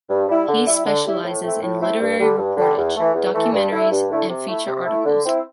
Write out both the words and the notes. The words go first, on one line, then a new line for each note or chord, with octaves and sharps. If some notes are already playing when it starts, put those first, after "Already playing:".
He specializes in literary reportage, documentaries and feature articles.
G2
G3 E4
D3
G3 E4
D3
G3 E4
A2
A3 C4 E4
A2
A3 C4 E4
G2
D3 G3
G2
D3 G3
E2
E3 A3
E2
E3 A3
G2
D3 A3 E4
G2
D3 A3 E4
C3
A3 E4
C3
A3 E4
D3
C4 E4